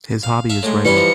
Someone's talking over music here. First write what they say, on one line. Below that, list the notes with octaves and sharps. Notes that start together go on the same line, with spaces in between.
His hobby is writing.
F5
E5 F5 A5
A2 G#3
E3 G3 C#4 B4 C6 C#7
F3 D#4